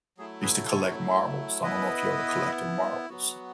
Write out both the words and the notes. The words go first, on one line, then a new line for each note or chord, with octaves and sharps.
I used to collect marbles. I don't know if you ever collected marbles,
F#3 A3 E4 G#4
G#4 B4
A4 C#5
B3 E4 B4 D#5
F#3 B3 F#4